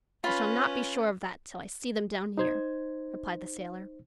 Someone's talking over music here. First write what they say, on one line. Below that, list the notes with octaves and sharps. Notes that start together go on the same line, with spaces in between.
"I shall not be sure of that till I see them down here," replied the sailor.
C#4 F4 B4 B5
D#4 C5 G#6